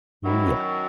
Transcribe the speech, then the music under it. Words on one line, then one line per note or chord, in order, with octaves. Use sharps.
Ooh, yeah.
F#2 D#3 F#3 E4